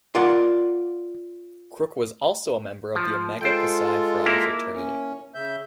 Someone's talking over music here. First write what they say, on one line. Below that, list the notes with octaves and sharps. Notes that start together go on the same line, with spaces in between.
Crook was also a member of Omega Psi Phi fraternity.
F4 A#4 D5 F#5
F3
G#3 F4 A4 C5 G5
A#3 E4 A#4
C#4
C#3 E5 G6